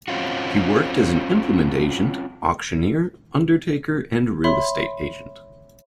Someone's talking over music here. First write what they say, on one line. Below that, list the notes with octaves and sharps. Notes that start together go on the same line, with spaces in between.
He worked as an implement agent, auctioneer, undertaker and real estate agent.
C4 C#4 F4 F#4
C#5 E5 B5 C6